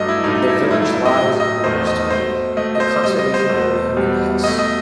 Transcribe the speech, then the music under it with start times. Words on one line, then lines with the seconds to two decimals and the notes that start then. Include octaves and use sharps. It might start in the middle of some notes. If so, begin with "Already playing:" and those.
The village lies in the Westerwald, a conservation area in Hesse.
Already playing: G2 F#3 A3 D#5
0.08 E4
0.24 G2 F#3 A3 D#4
0.35 D#4
0.47 E4
0.71 G2 F#3 A3 E4
0.82 E4
0.94 E4
1.05 D#5
1.17 A2 F#3 A3 D#5
1.40 D#5
1.64 E2 D#3 A3 C5
1.87 D#5
2.10 B2 A3 C5
2.57 A3 D#5
2.61 B2
2.75 D#5
2.80 C5
3.03 B2 G3 D#5
3.19 D#5
3.34 C5
3.50 E2 B2 A3
3.97 E2 B2 G3
4.43 B2 D#5
4.47 A3
4.59 D#5